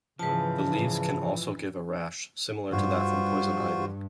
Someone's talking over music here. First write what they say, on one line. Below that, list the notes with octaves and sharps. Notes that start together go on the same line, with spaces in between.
The leaves can also give a rash similar to that from poison ivy.
G#2 C#3 E3 F3 B4 A5
G2 F4 F#4 C5